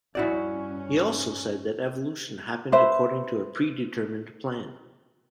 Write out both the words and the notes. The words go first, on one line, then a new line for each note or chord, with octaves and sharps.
He also said that evolution happens according to a predetermined plan.
G2 C#4 E4 F#4 D5
B4 C5 E5